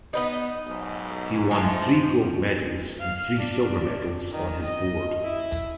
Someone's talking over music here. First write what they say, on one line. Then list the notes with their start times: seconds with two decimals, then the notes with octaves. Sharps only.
He won three gold medals and three silver medals on his board.
0.13 B3 D#4 B4 D#5
0.66 B1 G#2
1.51 F3 G#3 A3
3.00 F5
3.39 D4
4.32 D#3
4.64 D#5
5.24 E4